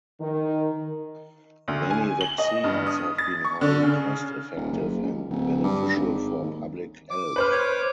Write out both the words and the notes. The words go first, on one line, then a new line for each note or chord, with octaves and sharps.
Many vaccines have been highly cost effective and beneficial for public health.
D#3
D2
G#5
F#7
D#5
G2
D#6
A6
C#6
D3
C#3
D#1
F#1
C#2
D1
G2
G#1
D#2
D6
B4 C5 F6
C#5 D6